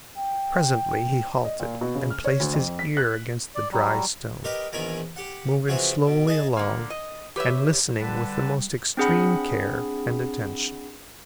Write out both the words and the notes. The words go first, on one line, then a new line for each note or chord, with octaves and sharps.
Presently he halted and placed his ear against the dry stone, moving slowly along and listening with the most extreme care and attention.
G5
D#5
A#2
B2
C#3
F6
C#5
D2
F2
B6
F#6
D5
F#3 G3
G4 A#4 B4 D#5
A#1 E2 D#3 G#5 A#5 B5
G4 F#5
C#3 F3 F#4 G#4 B4 E5
B2
G#4 D#5 A5
D3 A#3
D#5
G4 B4 C#5 E5
D3 G3 B4 A5
C4 D4 G#4 F#5 B5